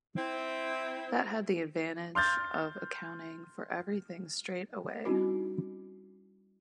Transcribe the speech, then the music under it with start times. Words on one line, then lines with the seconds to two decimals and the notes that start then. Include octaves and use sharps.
That had the advantage of accounting for everything straight away.
0.17 C4 E4
2.15 C6 F6 G6 A6
5.05 G3 C4 C#4 D#4 E4 F#4